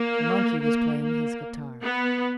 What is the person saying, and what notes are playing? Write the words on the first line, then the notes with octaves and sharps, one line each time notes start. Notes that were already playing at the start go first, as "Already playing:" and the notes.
The monkey was playing his guitar.
Already playing: A#3
A#3
A#3
B3